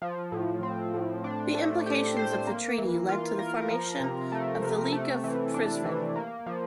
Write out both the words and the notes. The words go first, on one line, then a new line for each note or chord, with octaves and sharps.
The implications of the treaty led to the formation of the League of Prizren.
F3
A2
C4
A2
D4
A3
G4
C5
A#3
E3
F4
A#4
F3
C3
A3
C3
A3
E3
D4
E3
A#3
F3